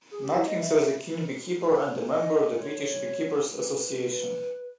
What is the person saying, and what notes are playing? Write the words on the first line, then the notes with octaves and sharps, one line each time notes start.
Nutkins was a keen beekeeper and a member of the British Beekeepers' Association.
G#4
G4
E4
D#5
E5
D#5
C#5
B4